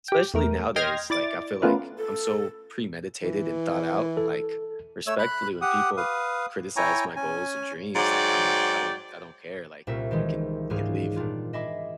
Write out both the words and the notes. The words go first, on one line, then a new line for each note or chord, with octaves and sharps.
especially nowadays, like, I feel like I'm so premeditated and thought-out, like respectfully when people criticize my goals and dream, like I'm like, "I don't I don't care." like, you can could leave
G4 G5
E2 A3 A#4
D#5 G5 C6 F6 G#6 A#6
E4 D5 D6 A6
A3 B3 C#4 F4 A#4 B4
A4
E3
A4
A3 C#5 E6
B5 F#6
G4 F#5 D#6
B4 F5 D#6
E4 C#5 G5 G#5 A#5 C#6
C#4 G#5
G#2 F#3 D5 G5
C2 A#2 C#4 E5
D#3 E3 G#3
C#2 G#2 G3 G#4 F5
A#2 G3 D4 F4
D#5 E5 G#5 B5 D6 C7